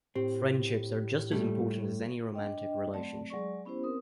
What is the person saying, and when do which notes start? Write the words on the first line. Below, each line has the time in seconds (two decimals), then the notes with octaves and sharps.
Friendships are just as important as any romantic relationship.
0.15 A2 C4 G4
1.31 G3 A3
2.34 D4 D#5 G5
2.94 F#3 A3 C4 D5 A5
3.30 F#3 G#3 G#4 D5 C#6
3.65 B3 C#4 E4 G4 C5
3.84 C4 A#4 D#6